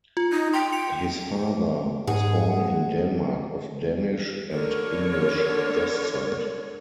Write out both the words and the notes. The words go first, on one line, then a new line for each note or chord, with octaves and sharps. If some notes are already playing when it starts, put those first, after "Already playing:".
His father was born in Denmark of Danish and English descent.
F4
D#4
G5 C6
C#7 F7
G#2 G#4 F#5
D3 A#4 C#5